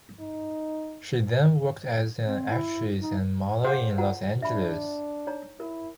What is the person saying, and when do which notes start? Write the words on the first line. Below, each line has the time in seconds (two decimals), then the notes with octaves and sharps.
She then worked as an actress and model in Los Angeles.
0.20 D#4
2.26 C4
2.51 E4
3.00 D#4
3.65 G#4 C5 F5 F#5
3.98 F4 F#5 A#5
4.42 D4 E5 B5
5.27 D#4 C#5 A#5
5.60 E4 A#4